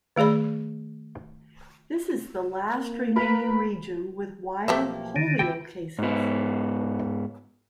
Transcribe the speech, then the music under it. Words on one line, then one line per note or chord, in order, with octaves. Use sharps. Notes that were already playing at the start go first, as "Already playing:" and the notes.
This is the last remaining region with wild polio cases.
D#3 A3 G#4 D5 B5
A#3
F4 A#4 B4 B5
B1 F3 A3 A#3 G4 E5
D3 D#3
E4 G4 G5
G#2 B3